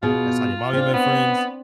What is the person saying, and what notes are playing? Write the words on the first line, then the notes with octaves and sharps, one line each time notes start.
and that's how your mommy met friends,
B2 F4 G#4
C4 D4
B3